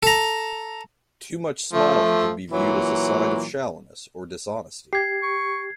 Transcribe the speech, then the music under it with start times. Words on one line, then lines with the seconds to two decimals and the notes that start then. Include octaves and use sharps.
Too much smiling can be viewed as a sign of shallowness or dishonesty.
0.03 A4 A#5
1.73 F3 A3
2.51 A#2 E3 F#3
4.93 G4 G#6 C7
5.22 C#6